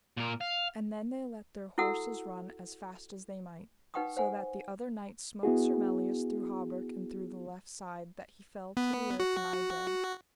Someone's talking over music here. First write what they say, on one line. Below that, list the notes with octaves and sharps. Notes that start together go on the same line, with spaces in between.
And then they let their horses run as fast as they might, so that the other knight smote Sir Melias through hauberk and through the left side, that he fell to the earth nigh dead.
A#2 A#4
F5
E4 F#4 A4 F#5 E6
D#4 B4 F#5 G5 C#6 D#6
C5 F#5 G#5
B3 E4 F#4 G#4
B3
F#4